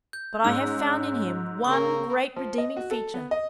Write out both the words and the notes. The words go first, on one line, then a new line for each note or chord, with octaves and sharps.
But I have found in him one great redeeming feature.
G6
G#2 C#4 E6
C#3 A#3 A#4 C#6
F3
D#5
F#4
A4
B3
D#5